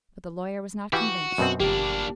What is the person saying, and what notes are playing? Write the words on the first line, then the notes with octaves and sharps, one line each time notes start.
But the lawyer was not convinced.
E3 F#4 G4 F5
F#2 B2 C4
G1 A#3 D4 G4